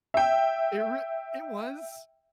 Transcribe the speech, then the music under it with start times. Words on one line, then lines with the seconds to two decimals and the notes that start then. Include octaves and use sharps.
It rea it was
0.14 E5 G5